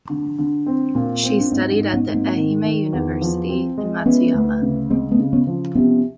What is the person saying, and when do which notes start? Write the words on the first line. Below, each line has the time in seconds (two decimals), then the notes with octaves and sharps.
She studied at the Ehime University in Matsuyama.
0.10 D3
0.39 D3
0.66 C4
0.95 A#2
1.23 C4
1.40 D4
1.51 G#2 B3 C#4
1.72 C4 D4
1.79 G#2
1.94 B3 C#4
2.08 G#2
2.14 A#3 C4
2.36 D#3
2.64 D#3
2.93 E2
3.21 F3
3.49 C4
3.78 G#3
4.06 E3 B3 C#4
4.34 D2
4.62 C#3
4.90 G#3 A#3 C4
5.11 A3 B3
5.19 C#3
5.33 B3 C#4
5.47 F3
5.75 C3 B3 C#4